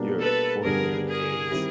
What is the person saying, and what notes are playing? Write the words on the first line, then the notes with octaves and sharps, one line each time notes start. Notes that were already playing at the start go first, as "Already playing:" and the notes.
your ordinary days
Already playing: B2 G3 A#3 D4
A4 B4
G2 D3 G3 B3 D4 G#4 A#4
G#4 A#4
D#3 G3 C4 E4 G4